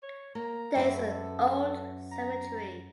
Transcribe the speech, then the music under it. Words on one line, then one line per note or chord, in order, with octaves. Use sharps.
There is an old cemetery.
C#5
A#3 A#5
F#2 B4 E5
A4
A#5